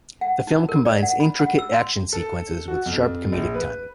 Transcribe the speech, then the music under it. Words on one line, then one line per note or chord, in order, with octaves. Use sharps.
The film combines intricate action sequences with sharp comedic timing.
F#5
D#4
A#4
D5
F#5
B5
F#5
E6
C6
A4
F#4
F2
A#1
B4